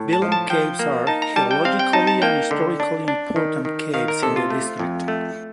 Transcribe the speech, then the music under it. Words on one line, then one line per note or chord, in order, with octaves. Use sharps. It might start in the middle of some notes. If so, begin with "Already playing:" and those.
Belum Caves are geologically and historically important caves in the district.
Already playing: A2
A5
F3
A5
F3 G5
A#3
D#4 A5
A#5
G3 A5
G5
C4 F5
G5
D#4 A5
A5
A#3 G5
D3
D4
D4
D#3
D#3
D#3 F5
A#4
C3 A4
F4
A3
F2
A3